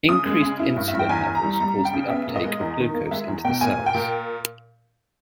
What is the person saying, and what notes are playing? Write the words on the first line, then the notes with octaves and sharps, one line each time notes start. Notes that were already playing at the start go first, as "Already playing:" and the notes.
Increased insulin levels cause the uptake of glucose into the cells.
C#3 D#6
G#3
C#3
E4
G2
E5
G2
G5
E2 G#5
E2
A#5
G3
G3 A#5
C#3
G5
C#3
B3 E5
A#2
D#5
G#3
E2
D#3
A#3
G#3 E5
E2
B2 G5
A#2 G#5
A#2
G5
A#2